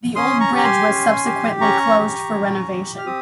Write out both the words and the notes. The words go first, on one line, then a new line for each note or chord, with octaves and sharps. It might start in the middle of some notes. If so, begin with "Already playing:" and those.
The old bridge was subsequently closed for renovation.
C#4 C6 D#6
A#5 C#6
G4
A#5
G#5 C6
C#4
G4
C#4 A#5 C#6
G4
C#4
G4
F6
C4 D#6